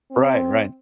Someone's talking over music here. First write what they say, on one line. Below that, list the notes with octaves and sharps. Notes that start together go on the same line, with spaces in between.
Right, right.
C4